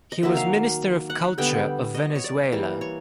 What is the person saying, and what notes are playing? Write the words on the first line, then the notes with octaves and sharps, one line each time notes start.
He was Minister of Culture of Venezuela.
D#5
D#3 F#3 A#3 E5
F5
F#5
D3 G3 B3 G5
D#5
C#5
D5
E3 G3 A#3
C#5